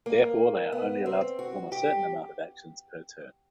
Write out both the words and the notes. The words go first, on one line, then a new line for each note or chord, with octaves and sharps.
Therefore, they are only allowed to perform a certain amount of actions per turn.
A#3
B3
C4
F#4
G4